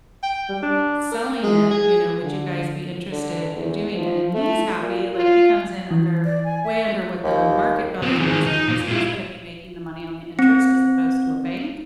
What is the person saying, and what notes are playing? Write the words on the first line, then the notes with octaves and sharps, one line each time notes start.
selling it, you know, would you guys be interested in doing it?" And he's happy, like, he comes in under way under what the market value is because he's gonna be making the money on the interest as opposed to a bank.
G5
G3
D4
A#4
G#3
G#4
D3
D3
E2
F3
A3
A#2
F4
E3
D5
G#5
E5
D#2
B3 C4
D#3 G#4
D#4
A#2
E4 F4
C4